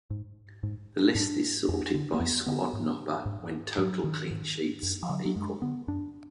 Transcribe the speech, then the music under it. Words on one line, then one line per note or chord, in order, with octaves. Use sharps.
The list is sorted by squad number when total clean sheets are equal.
G#2
G#2
G#2 D4
F2
D3
A#3
F2 B3
D3 B3
G#2
G#2
G#2 F#3
D#3
G#2
F#2
F3
D3 F#3
F#3
F#2 G#3
D3 B3
F#2 D4